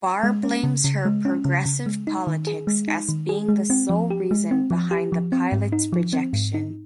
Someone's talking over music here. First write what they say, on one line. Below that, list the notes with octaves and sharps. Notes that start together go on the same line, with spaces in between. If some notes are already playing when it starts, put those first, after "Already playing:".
Barr blames her "Progressive politics" as being the sole reason behind the pilot's rejection.
G#3
C#4
C#3
C#3
G#3
C#4
C#3
C#3
G#3
D#4
D#3
G#4
G#3
D#4
D#3
G#4
G#3
C4
F3
G4
G#3
C4
F3
G4
F3
C4
G#2
D#4
F3
C4
G#2
D#4